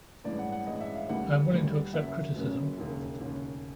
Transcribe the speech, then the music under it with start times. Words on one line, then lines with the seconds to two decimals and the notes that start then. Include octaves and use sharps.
I am willing to accept criticism.
0.24 A1 G2 E3 G#3 D5
0.39 F#5
0.52 F#5
0.66 A1 G2 E3 G#3 D#5
0.80 E5
0.95 F5
1.09 F1 D#2 D#3 G3 F#5
1.52 F1 D#2 D#3 G3
1.93 F#1 F#2 C#3 F#3 A#3 E5
2.36 F#1 F#2 C#3 F#3 A#3
2.78 E1 D#2 C#3
3.20 E1 D#2 C#3